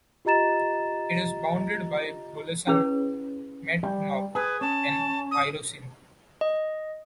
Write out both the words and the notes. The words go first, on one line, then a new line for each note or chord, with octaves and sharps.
It is bounded by Bulusan, Matnog and Irosin.
F4 G4 D#5 A#5 A6 E7
C#4 E4 G#4 B4 C#5
G3
G#4 B4
C#4 A5
D#6
D#5